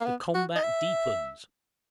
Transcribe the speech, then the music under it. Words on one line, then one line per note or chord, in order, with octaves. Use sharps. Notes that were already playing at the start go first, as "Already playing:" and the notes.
The combat deepens.
A#3
B3
F#4
D#5
E5